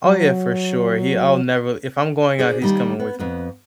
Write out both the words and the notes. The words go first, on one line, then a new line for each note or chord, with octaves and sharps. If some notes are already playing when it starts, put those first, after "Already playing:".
Oh, yeah, for sure; he I'll never if I'm going out, he's coming with me.
F#3
D4 G#4 C5 D5
D#3 G3 A#3
B3
F2 B3